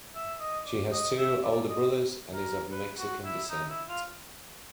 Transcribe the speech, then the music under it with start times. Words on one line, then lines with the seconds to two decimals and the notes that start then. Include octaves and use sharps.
She has two older brothers and is of Mexican descent.
0.15 E5
0.40 D#5
0.66 D5
0.92 D#5
1.18 E5
1.43 D5
1.69 D#5
2.33 A#4
2.72 B4
2.98 F#4
3.24 E4
3.49 D#4
3.69 E4
3.88 F4